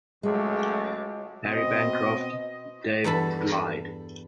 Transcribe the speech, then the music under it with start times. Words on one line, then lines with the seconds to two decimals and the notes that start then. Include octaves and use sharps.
Harry Bancroft, Dave lied.
0.23 C#2 F#3 G#3 A3
1.44 B2 C4 D#5
3.04 E2 G2 A4 B5